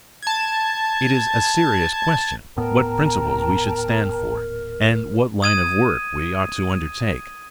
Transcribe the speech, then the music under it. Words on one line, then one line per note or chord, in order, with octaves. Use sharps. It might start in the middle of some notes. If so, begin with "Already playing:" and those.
It is a serious question what principles we should stand for and what line of work we ought to undertake.
A5 G#6
D#1 A2 B3 A#4 G5 A5 A#5
D#6 G#6 D#7